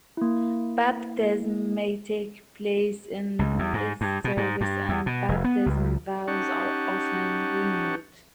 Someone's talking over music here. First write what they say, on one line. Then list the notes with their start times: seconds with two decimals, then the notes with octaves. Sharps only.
Baptisms may take place in this service and Baptism vows are often renewed.
0.17 A#3 E4
3.39 C#2
3.59 E2
3.73 G#2
4.01 G2
4.24 B2
4.37 G#2
4.61 G2
4.89 E2
5.06 B2
5.29 F1
5.44 B3
5.66 C#2
6.28 C#4 D#4 G4 F#5 A5 C#6